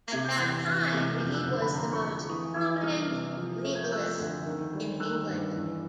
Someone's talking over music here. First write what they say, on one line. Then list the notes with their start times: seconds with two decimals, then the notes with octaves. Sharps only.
At that time, he was the most prominent legalist in England.
0.12 C3 G#6
0.25 G6
0.36 E2 F#6 G#6
0.67 E3
0.94 C3
1.20 F2 F6 G6
1.34 E6 F#6
1.48 D3
1.62 A5 B5
1.75 F2 A#5 C6
1.92 B5 C#6
2.01 F3
2.29 E3 C#6 D#6
2.56 E3 D6 E6
2.83 C2 D#6 F6
3.10 C3
3.37 F3
3.64 A3
3.75 G#6
3.83 G6
3.92 F3 E6 F#6
4.19 D2
4.46 D#3
4.73 G3
5.00 D#3 E6 F#6
5.27 G2
5.54 E2